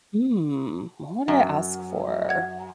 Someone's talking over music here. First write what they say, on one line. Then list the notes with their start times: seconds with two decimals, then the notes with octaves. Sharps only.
Hmm, what would I ask for?
1.28 F#2
2.29 F#5 G#6